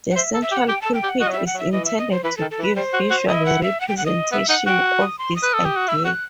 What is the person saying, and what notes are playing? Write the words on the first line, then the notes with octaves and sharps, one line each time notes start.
The central pulpit is intended to give visual representation of this idea.
F#5
C5 E5
A4
E5
G4
F#5
G4 G5
A4 A5
G5
G4
F#5
F#4 D#5
F#3
G3 E5
F#5
F#3
E5
E3 D#5
E5
D#5
C5
E3 B4
D#3 A4
A4
E3
B4
G3 C5
F#4
F#4
E4 D#5
F#5
E5
F#5
G5
F#5
D#5
B3 E5
D#4 F#5
F#4 G5
D#6
C6
D#6
B4
A4
G4
F#4
E4 E6
F#4 F#6